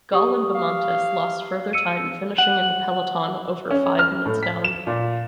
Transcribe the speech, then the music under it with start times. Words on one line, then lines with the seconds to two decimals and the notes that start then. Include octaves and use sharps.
Gaul and Bahamontes lost further time, finishing in the peloton over five minutes down.
0.13 G4 C#6 D#6
0.55 F5
1.73 E6 C#7 D#7
2.38 F#5
3.71 C#4
3.99 F6
4.26 A2
4.43 B6
4.64 E7
4.87 A#2